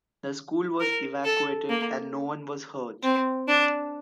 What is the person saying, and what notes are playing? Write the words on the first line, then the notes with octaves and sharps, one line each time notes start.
The school was evacuated and no one was hurt.
A#4
A4
A#3
C4
D4